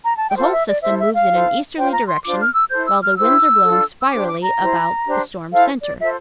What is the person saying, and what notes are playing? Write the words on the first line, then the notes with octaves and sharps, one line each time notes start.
The whole system moves in an easterly direction, while the winds are blowing spirally about the storm center.
A#5
A5
G5
F4 A4 C5 F5
E5
D5
E4 A4 C5 E5
E5
F5
E4 A4 C5
F4 C5 G5
A#5
C6
D4 F4 C5 D6
F6
E6
E4 A4 C5 G6
E6
F6
E4 G4 C5 E6
D4 F4 A4
E6
D4 G4 C5 D6
D6
A#5
E4 G4 C5
D4 G4 C5
E4 A4 C5 F5
D5
F4 A4 C5 E5